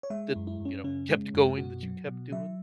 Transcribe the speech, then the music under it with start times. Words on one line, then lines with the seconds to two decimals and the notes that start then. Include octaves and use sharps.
that, you know, kept going that you kept doing?
0.03 C#5
0.10 G#3 E5
0.29 E4
0.36 F#2
0.47 E4
0.60 F#2
0.65 C#4
0.84 C#3 C#4
1.09 G#3
1.34 F#2
1.57 B2 F#4
1.83 F#3
2.07 B2
2.32 F#3 E5